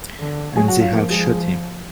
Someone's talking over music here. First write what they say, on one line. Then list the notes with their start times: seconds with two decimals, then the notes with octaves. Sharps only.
And they have shot him.
0.20 D3
0.56 F#3 G#4 G#5
0.68 F#4 F#5
0.81 F4 F5
0.92 F3 A#3 A#4
1.10 G#3 G#4